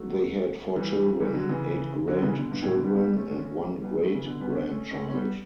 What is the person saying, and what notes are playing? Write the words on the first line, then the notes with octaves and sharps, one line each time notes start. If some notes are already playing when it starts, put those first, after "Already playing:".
They had four children, eight grandchildren, and one great grandchild.
Already playing: F#3 A3
E3 G3
E3 G3
D3 F#3
C#3 E3
D3 F#3
C#3 E3
B2 D3
G2 B2
A2 C#3
B2 D3
G3 B3
G3 B3
A3 C#4
D4
A3 C#4
G3 B3
F#3 A3
F#3 A3
C#3 E3
B2 D3
G3 B3
C#4
B3 D4
A3 C#4
A3 C#4
C#4
G3 B3